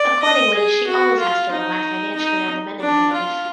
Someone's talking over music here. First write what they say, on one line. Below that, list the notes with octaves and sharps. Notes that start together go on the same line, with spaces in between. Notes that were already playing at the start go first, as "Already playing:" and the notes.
Accordingly, she always has to rely financially on the men in her life.
Already playing: D5
D#5
G#4
F#4
F4
D#4
D#4
D4
F4